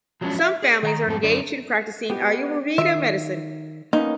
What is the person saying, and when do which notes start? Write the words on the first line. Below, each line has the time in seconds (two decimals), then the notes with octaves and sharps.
Some families are engaged in practicing Ayurveda medicine.
0.21 F3 F#3 G#3 A#3 C#4 D4
0.39 E5
0.62 G#4
0.83 D#3 F5 A#5
1.06 F2 G#2 C4 A4
1.23 F#2 D3 D5
2.10 B3 G4
2.78 D#3 E5
3.93 A#3 B3 C#4 D#4